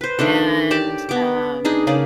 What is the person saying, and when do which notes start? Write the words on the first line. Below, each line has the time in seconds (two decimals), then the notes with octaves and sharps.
and, um,
0.01 B4 C5
0.19 D#3 A3 D4 A4
0.71 G4 D5 A5 D6
1.09 B3 D6
1.65 D4 D#4 G#4
1.87 C#3 A#3 G#4 D5